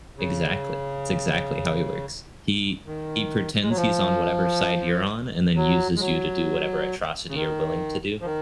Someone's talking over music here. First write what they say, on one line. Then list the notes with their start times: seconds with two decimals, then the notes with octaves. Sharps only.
Exactly, it's exactly how he works, he he pretends he's on whatever side you're on and then uses you to do whatever atrocity you're willing to do
0.17 C#3
2.87 D#3
3.62 G#3
3.70 F#3
3.76 F3
5.56 F#3
5.96 G#3
6.00 F#3
7.28 C#3
7.35 D#3
8.21 F3
8.25 D#3